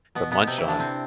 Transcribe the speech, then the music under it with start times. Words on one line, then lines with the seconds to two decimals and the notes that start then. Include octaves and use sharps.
to munch on.
0.15 B2 B3
0.31 B2 B3
0.47 C3 C4
0.58 E3 E4
0.68 D3 D4
0.79 C3 C4